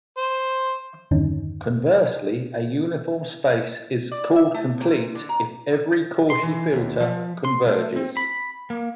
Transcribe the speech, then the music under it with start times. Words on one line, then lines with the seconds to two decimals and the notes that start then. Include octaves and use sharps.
Conversely, a uniform space is called complete if every Cauchy filter converges.
0.18 C5
1.11 E2 G2 D3 D#3 C#4 D#4
4.11 D5
4.36 E5
4.54 A3
4.81 A#2
5.15 D3
5.29 A#5
6.30 C6
6.43 E3
6.73 D#2
7.00 F3
7.45 C6
7.67 A3
7.96 C4
8.17 B5
8.70 A#3